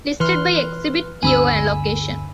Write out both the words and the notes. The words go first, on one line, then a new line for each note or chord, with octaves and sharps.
Listed by exhibit year and location.
E3 B4 C6 F6
G1 D2 D3 G#5 B5 E6